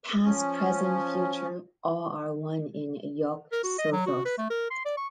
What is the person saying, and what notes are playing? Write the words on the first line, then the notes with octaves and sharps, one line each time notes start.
Past, present, future, all are one in Yog-Sothoth.
F3 C#4
A#4
F#4
D#5
F#3
F#4
B4
A3
A#4
C6
D5
C#6